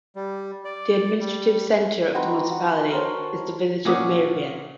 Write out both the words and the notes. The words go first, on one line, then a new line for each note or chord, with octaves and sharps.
The administrative centre of the municipality is the village of Meieribyen.
G3
D5
G3
C4 D#4 F#4 B4
F#4
A#4 C5 C#5 A5
A#2 C#4 F#5 D6 D#6